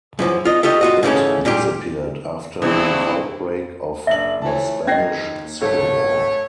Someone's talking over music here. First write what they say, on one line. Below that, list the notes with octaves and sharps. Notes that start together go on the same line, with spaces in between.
It disappeared after the outbreak of the Spanish Civil War.
F#2 E3 F3
F4 D#5
A3 F4 G4 D#5
F4 F#4 D#5
G#2 C#3 E3 G3 A3 C#4
A#2 G3 F4 G4
G2 B2 E3 C4 E4 G#4
F#1 D4 E5 F#7
E3 F3 A3 C#5 A5
D#2 C#4 D#5 G#6 A#6 C7
G#1 A3 A4 C#5 F5